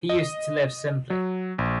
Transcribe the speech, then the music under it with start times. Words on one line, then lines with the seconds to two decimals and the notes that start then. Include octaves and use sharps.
He used to live simply.
0.09 D#5
1.10 F#3
1.58 A#1